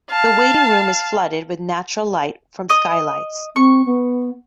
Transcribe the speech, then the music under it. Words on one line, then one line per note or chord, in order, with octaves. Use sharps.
The waiting room is flooded with natural light from skylights.
F5 A5
D#5 D#6
C4 C#6
B3